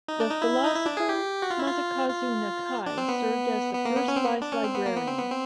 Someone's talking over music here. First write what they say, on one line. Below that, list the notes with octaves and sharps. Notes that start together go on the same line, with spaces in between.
The philosopher Masakazu Nakai served as the first Vice Librarian.
D#4
D4
D#4
E4
D#4
E4
D4
G#4
G4
F#4
F4
E4
F4
F4
D4
C4
B3
B3
A#3
B3
C#4
C4
B3
D4
C#4
C4
B3
A#3
B3
C4
B3
C4